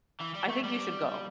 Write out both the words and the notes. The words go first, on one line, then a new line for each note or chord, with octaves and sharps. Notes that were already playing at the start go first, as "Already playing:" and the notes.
I think you should go.
E3
G3
A3
G3